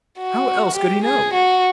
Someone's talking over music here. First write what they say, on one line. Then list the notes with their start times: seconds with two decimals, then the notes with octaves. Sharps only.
How else could he know?
0.19 F#4
0.75 G4
1.04 G#4
1.34 F#4